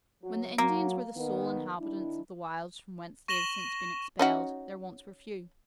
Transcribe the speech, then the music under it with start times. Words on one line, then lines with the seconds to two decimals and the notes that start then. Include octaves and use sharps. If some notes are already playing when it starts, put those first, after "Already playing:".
When the Indians were the sole inhabitants of the wilds from whence they have since been expelled, their wants were few.
0.23 F#3
0.58 F#3 A#3
1.16 D#3 B3
1.79 D#3 D4 E4
3.28 C#6 A#6 D#7 E7 F#7 G7
4.19 C#4 D#4 F#4